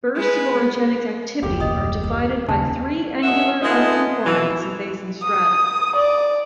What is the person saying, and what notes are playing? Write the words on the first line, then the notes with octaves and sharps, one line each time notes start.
Bursts of orogenic activity are divided by three angular unconformities in basin strata.
G#3 B4
B3
F#1 D#2 G4
A#2 D4 D#5 D#6
G#3 F4
D#2 C#3 D4 A5
G2 C#4 D#5 E5 F#5
G#3 A3 B3 D#4 F4
B2 E3
D#6
D5